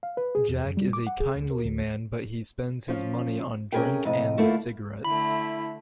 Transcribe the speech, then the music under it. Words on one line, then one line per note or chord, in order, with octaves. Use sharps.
Jack is a kindly man but he spends his money on drink and cigarettes.
F5
B4
G#4
E2
F#2
G3
D6
F#5
G#4
D2
A#4
D2
F3 C#4 F4
C3 C#4 F4 G#4 A#4 G5
F2 A2 C3 D#5
D3 A3 A#3 E4 F4
D3 A3 E4 B5